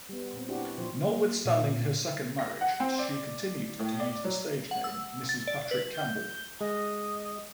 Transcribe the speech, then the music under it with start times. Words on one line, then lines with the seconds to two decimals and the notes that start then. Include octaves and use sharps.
Notwithstanding her second marriage she continued to use the stage name "Mrs Patrick Campbell".
0.09 G3 B3
0.33 A#2 C4
0.49 D4 E4 F#4 G4
0.78 A#2 F3 C5
1.07 A#3
1.45 A#2
2.39 A#6
2.61 F#5
2.80 C4
2.98 D5
3.79 A2
3.99 D5
4.24 F#3
4.71 F#5
4.84 E6
5.29 A6
5.47 D5
5.71 B4
5.93 G6
6.61 G#3 D#5